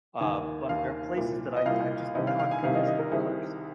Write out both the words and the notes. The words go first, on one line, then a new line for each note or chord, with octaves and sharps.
uh, but there are places that I'm I've just now I'm convinced they're cursed.
D#2 D#3 G#5
D#2 D#3 F5
C2 A#2
D#5
C2 A#2 F5
C2 C3 D#3 D#5
F5
F5
G#5
C2 C3 D#3 F5
D#5
F5
D#5
A#4
C2 C3 D#3 G#4